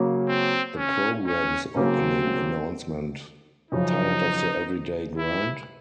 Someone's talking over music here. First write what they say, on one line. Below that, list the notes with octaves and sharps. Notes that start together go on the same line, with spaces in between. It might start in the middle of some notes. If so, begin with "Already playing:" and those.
The program's opening announcement-Tired of the everyday grind?
Already playing: C#3 F#3 A#3 C#4
C4
C#4
C#4
C#3 F#3 A#3 C4
F#2 C#3 F3 D#4
E4